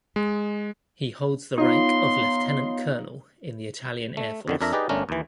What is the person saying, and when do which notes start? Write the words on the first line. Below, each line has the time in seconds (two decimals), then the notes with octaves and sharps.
He holds the rank of lieutenant colonel in the Italian Air Force.
0.16 G#3
1.58 B3 D#4 F4 C#5 F5 C6
4.17 A3
4.48 F2 D3 D#3
4.61 F2 D4 A#4 E5 A#5
4.73 D#4 G4 G#4 B4 D5 D#5
4.89 G1 A3 C#4 D4 A#4
5.09 D#2 E3